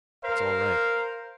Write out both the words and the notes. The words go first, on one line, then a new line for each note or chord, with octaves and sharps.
It's all right.
A#4 C5 F5